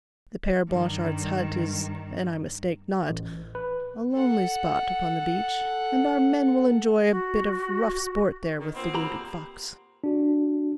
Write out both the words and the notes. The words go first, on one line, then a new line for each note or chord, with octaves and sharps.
The Pere Blanchard's hut is--an I mistake not--a lonely spot upon the beach, and our men will enjoy a bit of rough sport there with the wounded fox.
G2 D#3
A1
B4
A4 F#5
F#4
D3 D#3
A#2 B3 C4
G4 A#5 B5
D4 F#4